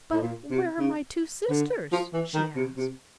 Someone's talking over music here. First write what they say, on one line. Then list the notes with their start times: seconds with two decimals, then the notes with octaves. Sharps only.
"But where are my two Sisters?" she asked.
0.13 A2
0.22 A#2
0.51 C3
0.79 C#3
1.50 D3
1.92 F3
2.13 E3
2.34 D#3
2.56 C3
2.77 C3